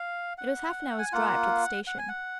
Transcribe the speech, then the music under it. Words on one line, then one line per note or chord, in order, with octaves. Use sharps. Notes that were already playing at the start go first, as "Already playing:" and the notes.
It was half-an-hour's drive to the station.
Already playing: F5
F#5
G#5
A#3 F4 F#5
F#5
G#5
F#5